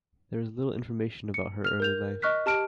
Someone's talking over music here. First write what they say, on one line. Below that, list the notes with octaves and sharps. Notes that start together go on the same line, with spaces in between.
There is little information about her early life.
C#7
F6 F7
A#4 G6 F7
D#5 C#6 F6 F#6 B6
G4 A5 F6 D7